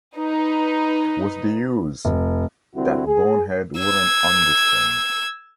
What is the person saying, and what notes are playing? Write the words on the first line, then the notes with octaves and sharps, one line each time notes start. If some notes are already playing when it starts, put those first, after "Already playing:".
What's the use? That bonehead wouldn't understand!
D#4 B4
F1
C2 D3 C4 E4 F#4
G#4
E6 G#6